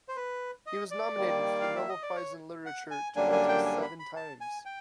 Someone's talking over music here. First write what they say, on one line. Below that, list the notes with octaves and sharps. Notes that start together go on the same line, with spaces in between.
He was nominated for the Nobel Prize in Literature twenty-seven times.
C5
B4
D#5
D5
D#3 G3 A#3
F5
E5
D#5
D5
C#5
F#5
G#5
F#2 D3 G3 A#3 D4 G#5
G#5
G5
G#5
B5
B5
A5
G#5
G5